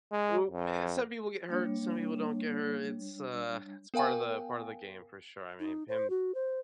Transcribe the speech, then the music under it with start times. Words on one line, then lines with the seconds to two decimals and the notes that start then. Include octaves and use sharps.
u eh some people get hurt, some people don't get hurt, it's, uh, it's part of the part of the game, for sure. I mean, him
0.11 G#3
0.51 F2
1.49 G3 A#3 D4 C#5
3.94 B3 A#4 F5 G5 G#5
5.60 D#4
5.88 C5
6.10 F#4
6.35 C5